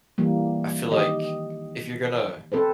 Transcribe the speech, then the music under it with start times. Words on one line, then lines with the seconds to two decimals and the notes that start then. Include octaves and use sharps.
I feel like if you're gonna
0.18 E3 G3 A#3
0.91 D#3 G4 D#5
2.52 C4 A4 B4 C5